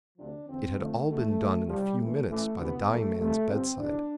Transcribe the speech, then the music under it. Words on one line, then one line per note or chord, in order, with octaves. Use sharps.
It had all been done in a few minutes by the dying man's bedside.
D2 C3 F3 D4
E2 D3 F3 C4
F2 D3 F3 A3
E2 B2 A3
B1 B2
C2 C3 F3 G3
A1 A2 E3 A3
A1 A2 E3 A3
D2 C3 E3 B3
B1 A2 E3 A3
C2 C3 F3 A3
G1 G2 F3 C4
E2 B2 D4